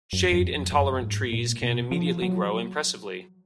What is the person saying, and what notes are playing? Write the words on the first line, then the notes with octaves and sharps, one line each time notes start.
Shade intolerant trees can immediately grow impressively.
F#2
F2
F#2
F2
F#2
G#2
A#2
B2
F3
F#3